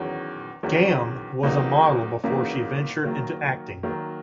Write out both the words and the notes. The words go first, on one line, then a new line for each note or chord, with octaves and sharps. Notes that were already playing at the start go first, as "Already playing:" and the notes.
Gam was a model before she ventured into acting.
Already playing: E2 D#3 F#3 C#4
E2 D#3 F#3 C#4
E2 C#3 F#3 A#3 D#4
E2 C#3 F#3 A#3 D#4
D#3 F#3 A#3
D#3 F#3 A#3